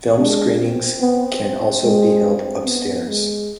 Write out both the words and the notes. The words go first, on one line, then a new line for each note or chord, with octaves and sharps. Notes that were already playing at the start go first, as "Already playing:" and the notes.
Film screenings can also be held upstairs.
G#3 D4
C4
B3
G#3
B3
G#3